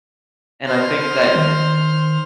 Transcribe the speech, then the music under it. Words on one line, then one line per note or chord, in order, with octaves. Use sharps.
And, I think that
C5 F6
D#3